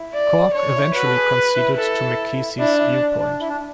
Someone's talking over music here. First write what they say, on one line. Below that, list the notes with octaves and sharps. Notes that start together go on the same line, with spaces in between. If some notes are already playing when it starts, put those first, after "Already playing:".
Cork eventually conceded to Mackesy's viewpoint.
Already playing: E4
D5
D4 C#5
E4
F#4 B4
A4
G#4
E4
A4
D4 E4
E4
D4
D4
E4
D4